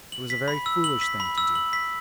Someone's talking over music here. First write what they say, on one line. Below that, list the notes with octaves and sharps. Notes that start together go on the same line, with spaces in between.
It was a very foolish thing to do.
F#7
B6
B5
E6
F#7
B6
B5
E6
F#7
B6